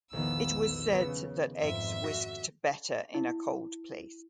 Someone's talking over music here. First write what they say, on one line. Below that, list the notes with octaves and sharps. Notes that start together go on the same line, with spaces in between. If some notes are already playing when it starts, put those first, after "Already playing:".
It was said that eggs whisked better in a cold place.
A#1 E2 D#3 B3 E6
C#3 B3
F2 G#2 E5
F#4 A#6
E4